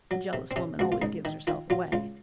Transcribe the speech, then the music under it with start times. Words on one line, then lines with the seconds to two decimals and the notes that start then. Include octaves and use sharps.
A jealous woman always gives herself away.
0.11 F#3
0.33 C3
0.51 C4
0.56 C3 C#4
0.79 C#2 F#4
0.92 F4
1.02 C#2 D#4
1.25 D#3
1.47 D#3 F4
1.70 F#3 F4
1.92 C#2 F4